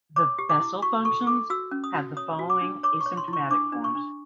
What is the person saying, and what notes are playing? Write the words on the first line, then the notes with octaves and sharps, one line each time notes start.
The Bessel functions have the following asymptotic forms.
C#5 D6
G4
D6
E4
F#4 C#6
A4 C#6
A4 D6
F#4 E6
C#4
D#6
F#4
C#5 D#6
F#4
D6
D4
C#5 D6
C#6
C#5
C6
E4
C#6
D4 D6
D4
C#6
D4